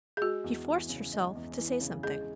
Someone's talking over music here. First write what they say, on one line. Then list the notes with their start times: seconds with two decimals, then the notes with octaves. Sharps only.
She forced herself to say something.
0.17 G#4
0.21 G#3 F#4
0.44 E2
0.67 E3
0.89 C#3
1.13 G#3
1.35 E2
1.59 E3
1.81 C#3
2.03 G#3 G#4